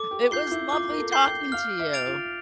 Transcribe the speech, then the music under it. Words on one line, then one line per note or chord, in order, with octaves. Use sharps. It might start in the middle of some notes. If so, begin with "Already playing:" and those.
It was lovely talking to you.
Already playing: A4 D6
G4
F4 G6 C7 G7
E4
F4 D6
A#4
A4
G6 C7 G7
G5
F5 F6
E5
A6 D7 F7
F4